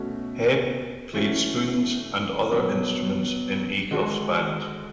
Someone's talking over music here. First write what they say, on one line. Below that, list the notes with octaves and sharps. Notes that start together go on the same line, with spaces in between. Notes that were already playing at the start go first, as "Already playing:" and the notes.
Hebb played spoons and other instruments in Acuff's band.
Already playing: B2 A3 C#4 F#4
E3 A3 C#4 F#4
B2 F#3 B3 D4
D3 G#3 D4 F#4